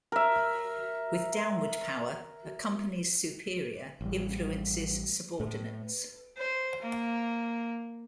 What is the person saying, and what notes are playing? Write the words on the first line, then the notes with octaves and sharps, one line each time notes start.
With downward power, a company's superior influences subordinates.
A#4 E5
A1 G3
A2
C5
A#3